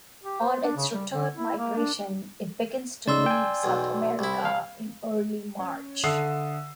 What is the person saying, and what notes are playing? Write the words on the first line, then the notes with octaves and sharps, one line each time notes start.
On its return migration it begins to leave South America in early March.
G4
C5
D4
C#3
G3
D3
E4
A#3
D4
C#3 D#4 D5 C6 E6
G5 G#5
B1 E2
C2 E4
F5
C#4 C#5
D3 A4 E5 D#6 E6 C7